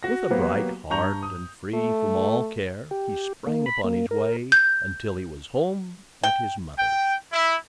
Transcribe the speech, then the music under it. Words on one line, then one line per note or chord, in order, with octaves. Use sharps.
With a bright heart and free from all care, he sprang upon his way, until he was home at his mother's.
F#4 A#6
F#3 A#3 B3 F#4 G4 B4
G2 A#5 C#6 G6 F7
D#6
A3
G4
A#3
B5
A#3
A#4
G6
G5
G5
E4